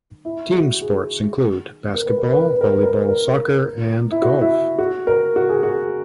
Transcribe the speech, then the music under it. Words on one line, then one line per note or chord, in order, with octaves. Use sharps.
Team sports include: basketball, volleyball, soccer, and golf.
E4
F#4
G#4
A#4
B4
A#4
B4
A#4
B4
A#4
B4
A#4
A#4
E4
F#4
E4
F#4
A#4
F#4
G#4
F#4